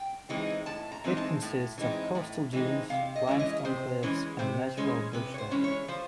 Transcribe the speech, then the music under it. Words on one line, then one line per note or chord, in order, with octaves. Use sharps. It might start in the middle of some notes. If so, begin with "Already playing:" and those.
It consists of coastal dunes, limestone cliffs, and natural bushland.
Already playing: G5
E3 G#3 C4 D#4
A2 A5
A#5
E3 G#3 C4 D#4
A5
A2
E3 G#3 C4 D#4
A2
E3 G#3 C4 D#4
C3 F5
D#5
E3 G#3 C#4
D#5
C3 C5
E3 G#3 C#4
C3 C5
E3 G#3 C#4
C3 B4
C#5
C5
E3 G#3 C#4
C#5
F3 C5